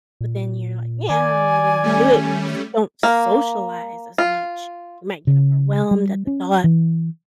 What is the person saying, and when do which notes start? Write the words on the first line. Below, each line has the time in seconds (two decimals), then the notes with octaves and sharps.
but then you're like, "Yeah, I don't really wanna do it because you don't socialize as much," you might get overwhelmed at the thought
0.21 A#2
1.10 D#3 D5 G#5
1.84 G3 A3 C#4
3.03 A#3
4.18 F4
5.27 C#3
5.91 G3
6.27 C#4
6.64 E3